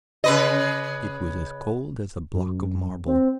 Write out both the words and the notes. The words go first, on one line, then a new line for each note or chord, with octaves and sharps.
It was as cold as a block of marble.
C#3 B4 D#5
F#2
C4